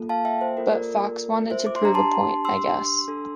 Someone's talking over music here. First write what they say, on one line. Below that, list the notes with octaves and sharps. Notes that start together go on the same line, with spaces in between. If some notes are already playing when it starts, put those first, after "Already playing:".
But Fox wanted to prove a point, I guess.
Already playing: A#3 F4 A4
F5 A5
E5 G5
C5
A#3 F4 A4 A#4
A#4 D5
C5 E5
D6
C6
D4 G4 A#5
A5 C6
C6 E6
D4 A4